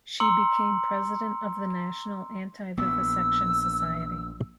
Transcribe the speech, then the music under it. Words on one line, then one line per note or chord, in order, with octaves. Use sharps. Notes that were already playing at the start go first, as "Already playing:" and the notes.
She became president of the National Anti-Vivisection Society.
A#5 C6 D6 E6 C#7 F#7
A#1 B3 E6